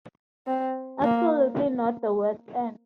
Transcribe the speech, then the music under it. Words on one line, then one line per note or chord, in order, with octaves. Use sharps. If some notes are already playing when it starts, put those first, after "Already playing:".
Absolutely not the West End.
C4
A#3